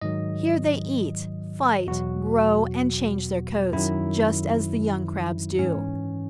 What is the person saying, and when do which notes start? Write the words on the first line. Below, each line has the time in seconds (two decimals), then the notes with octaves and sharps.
Here they eat, fight, grow and change their coats, just as the young Crabs do.
0.02 G#2 D#3 F#3 D#5
1.87 E2 B2 F#3 F#4
3.73 F#2 D#3 F#3 E4
5.59 G#2 E3 C#4